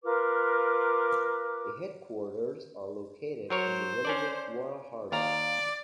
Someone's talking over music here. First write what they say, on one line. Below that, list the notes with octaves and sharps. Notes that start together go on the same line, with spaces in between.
The headquarters are located in the village of Gaura Hardo.
F4 A#4 B4 D6
F#3 A#4 C5 C#5
C#4 D4 D5
D#2 D5 F5 A#5